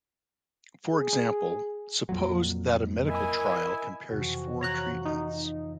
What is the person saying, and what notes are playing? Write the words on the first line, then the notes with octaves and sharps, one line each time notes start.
For example, suppose that a medical trial compares four treatments.
G#4
F2 A#2 F#3
E4 A#4 D#5 G#5
F2 C3 E3 F#4
C#5 A#5 F#6
D#4